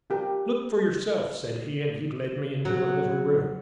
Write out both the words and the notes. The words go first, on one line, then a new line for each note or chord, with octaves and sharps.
"Look for yourself," said he, and he led me into the little room.
F4 G4 A#4
F#3